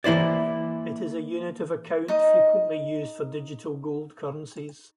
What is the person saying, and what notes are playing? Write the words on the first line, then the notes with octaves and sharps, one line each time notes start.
It is a unit of account frequently used for digital gold currencies.
E3 A#3 E4 C5 D5
D#4 D#5